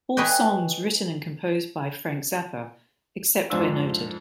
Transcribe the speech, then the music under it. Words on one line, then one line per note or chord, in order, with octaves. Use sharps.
All songs written and composed by Frank Zappa, except where noted.
G#4 B4 C#5 D#5 G5
F2 G#2 C4 D4 F4 E6